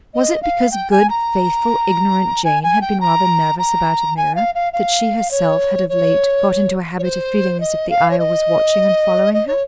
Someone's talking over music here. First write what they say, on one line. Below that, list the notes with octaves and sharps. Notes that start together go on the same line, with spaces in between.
Was it because good, faithful, ignorant Jane had been rather nervous about Ameerah that she herself had of late got into a habit of feeling as if the Ayah was watching and following her.
D#5
F5
G5
G#5
A#5
G#5
G#5
G5
A#5
A#5
G#5
F5
F5
F5
C#5
C#5
C#5
C5
D#5
F5
C#5
D#5
D#5
C#5